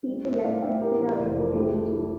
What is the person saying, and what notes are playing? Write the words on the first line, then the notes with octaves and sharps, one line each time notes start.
People accepted our explanations.
G3
A2 C5 E5
A2 D5 F5
A2 E5 G5
A#3 G4 A#4
E3
F1 D5
C5
F2 A#4
A4
C2 E4 G4
A3
A3 E4